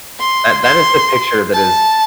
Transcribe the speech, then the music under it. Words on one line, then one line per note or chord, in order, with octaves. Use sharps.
that that is the picture that is
C6
C6
A5